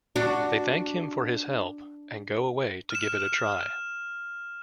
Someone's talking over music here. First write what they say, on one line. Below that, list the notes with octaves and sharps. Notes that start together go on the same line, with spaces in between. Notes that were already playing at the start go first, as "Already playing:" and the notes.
They thank him for his help and go away to give it a try.
D4 F#4
F6 E7